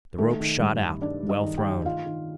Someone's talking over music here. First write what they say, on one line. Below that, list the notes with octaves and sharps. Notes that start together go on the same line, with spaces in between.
The rope shot out, well thrown.
D#3 A3 A4
D#3
G2
D#3
D#3 D4 D5
G2
D#4 D#5
D#3
G4 G5
D#3
D#3 F4 F5
D#3